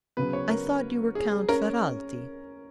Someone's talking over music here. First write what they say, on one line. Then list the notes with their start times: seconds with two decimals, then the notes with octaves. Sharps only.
"I thought you were Count Ferralti."
0.17 C#3 F#3 B3 B4
0.33 C#5
0.49 A#4
1.15 G#4
1.48 C#4 A#4